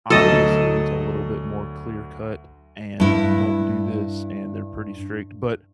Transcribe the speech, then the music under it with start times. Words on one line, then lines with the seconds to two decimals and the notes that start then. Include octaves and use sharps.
obviously, it's a little bit more clear-cut and, "Don't do this," and they're pretty strict, but
0.10 D2 F#3 A4 D#5
3.00 G2 E4